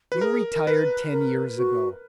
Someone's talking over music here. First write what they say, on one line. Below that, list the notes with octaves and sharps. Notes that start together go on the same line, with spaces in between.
You retired ten years ago.
F#4 B4
G#4 A#4
A#4
B4
B4
A#4
F#4